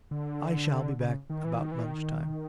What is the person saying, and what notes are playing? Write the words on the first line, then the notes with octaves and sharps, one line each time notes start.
I shall be back about lunch time.'
D3
C#3
D#3
E3
D#3
E3
D#3